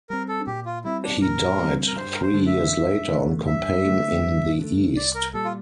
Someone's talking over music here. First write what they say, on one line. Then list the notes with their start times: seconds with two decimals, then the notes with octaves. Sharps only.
He died three years later on campaign in the east.
0.10 G3 C4 A#4
0.28 A4
0.47 A#2 G4
0.66 F4
0.84 G3 C4 E4
1.03 D4
1.21 A#2 A#4
1.59 G3 C4
1.88 A#4
1.96 G2 C5
2.13 A#4
2.22 C5
2.34 D3 A3
2.47 E5
2.71 G2
3.09 D3 A3
3.46 G2 E5
3.85 D3 A3
4.22 G2
4.60 D3 A3
4.96 C2 D5
5.15 A#4
5.34 A#2 G3 A4
5.45 F4